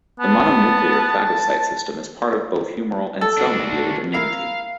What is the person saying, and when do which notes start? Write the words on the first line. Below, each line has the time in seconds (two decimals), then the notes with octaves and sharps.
The mononuclear phagocyte system is part of both humoral and cell-mediated immunity.
0.20 B3 A5
3.21 A4
3.38 D4 F#4
4.14 E4 A#4 F5